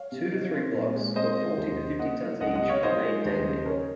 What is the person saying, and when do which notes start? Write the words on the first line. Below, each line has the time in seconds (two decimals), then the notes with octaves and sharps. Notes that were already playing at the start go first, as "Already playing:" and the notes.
Two to three blocks, of forty to fifty tons each, were made daily.
Already playing: C#5 F5
0.12 C3
0.32 D#4
0.54 C4
0.74 A#2
0.95 G#3
1.16 C4 C5 D#5
1.37 G#3
1.58 D#2
1.78 C#3
1.99 A#3 D#5 F#5
2.21 F#3
2.41 C#2 D#5 F#5
2.55 D#5 F#5
2.63 C3
2.69 C#5 F5
2.83 D#4 C5 D#5
3.03 G#3
3.25 D#2
3.45 C#3
3.66 C#4 A#4 C#5